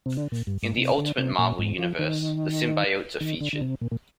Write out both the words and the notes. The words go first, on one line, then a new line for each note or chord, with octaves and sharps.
In the "Ultimate Marvel" universe, the Symbiotes are featured.
C3
D3
A#2
G2
G#2
C3
D3
C3
A#2
G#2
F3
D#3
D#3
D3
D3
C3
A#2
A#2